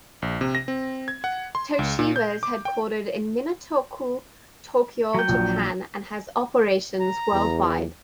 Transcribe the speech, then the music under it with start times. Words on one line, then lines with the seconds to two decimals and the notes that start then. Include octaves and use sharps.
Toshiba is headquartered in Minato-ku, Tokyo, Japan and has operations worldwide.
0.22 A#1
0.41 C3
0.55 A#6
0.68 C4
1.08 G#6
1.24 F#5
1.55 C6
1.79 C#2
1.99 A#2
2.16 G6
2.43 D6
2.65 G5
5.14 F#3 G5
5.28 A#1 F3 D4
7.01 A#5
7.33 E2